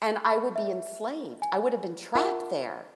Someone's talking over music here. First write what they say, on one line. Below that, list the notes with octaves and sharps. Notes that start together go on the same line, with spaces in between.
and I would be enslaved. I woulda been trapped there.
B5
E5
G#5
F4 A#4 E5 F#5 A5